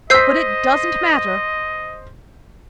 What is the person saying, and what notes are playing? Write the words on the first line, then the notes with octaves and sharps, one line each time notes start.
But it doesn't matter.
C5 D#5 E6 G6 B6 C7